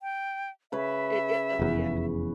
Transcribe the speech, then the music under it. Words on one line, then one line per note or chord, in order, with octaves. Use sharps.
It it Oh, yeah.
G5
C#3 B4 C#5 E5
F1 E2